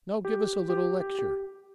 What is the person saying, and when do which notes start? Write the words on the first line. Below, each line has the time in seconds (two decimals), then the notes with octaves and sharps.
"Now give us a little lecture."
0.25 G4
0.70 G4
1.00 G4
1.19 G4